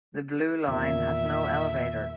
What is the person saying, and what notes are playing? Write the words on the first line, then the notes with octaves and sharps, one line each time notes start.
The Blue Line has no elevator.
E2 A#2 D#3 E5